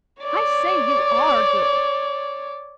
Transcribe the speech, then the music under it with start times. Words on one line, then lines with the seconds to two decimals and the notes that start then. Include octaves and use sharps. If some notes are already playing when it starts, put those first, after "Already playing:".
'I say, you ARE good.'
0.23 C#5 D5